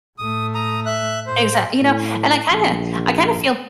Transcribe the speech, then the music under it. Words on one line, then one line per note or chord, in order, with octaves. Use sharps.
Exact you know, and I kinda I kinda feel,
A2 A3 D#6
A#5 D#6
E5 F#6
A2 C5
A2
A#1